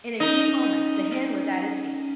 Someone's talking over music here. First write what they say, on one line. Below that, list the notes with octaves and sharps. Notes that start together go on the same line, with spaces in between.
In a few moments the hen was at his feet.
C#4 D#4
C#4